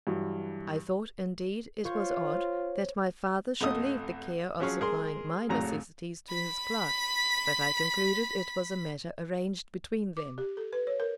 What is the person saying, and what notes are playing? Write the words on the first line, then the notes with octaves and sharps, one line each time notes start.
I thought, indeed, it was odd that my father should leave the care of supplying my necessities to his clerk; but I concluded it was a matter arranged between them.
G2 E3 F#3
F4 C5 C#5
B1 F2 A3 D#5 D#6
F3 F#3 C#4 G#4 C#5 F5
G#3 G#4 A#4 C6
G#1 F2 A2 F#3 A#5
B5 B6
D6
G4
A4
B4
C#5
A#4